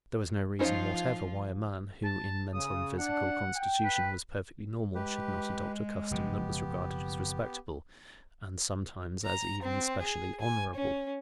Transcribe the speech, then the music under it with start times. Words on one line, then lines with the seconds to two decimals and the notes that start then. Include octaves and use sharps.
There was no reason whatever why a man, who in mental and physical constitution was perfectly normal, should not adopt a custom that was regarded as respectable, and sometimes as even specially honorable.
0.59 F3 C#4 D#4 F4 C5
2.05 A5
2.54 C#3 D#6
2.98 D4 F#5
3.55 G5
3.85 B4
4.95 G#3 G4 B4
6.11 F#1 B2 F3 B3 G4
9.25 A#5
9.63 C4
10.01 G#4
10.41 G#5
10.75 C#4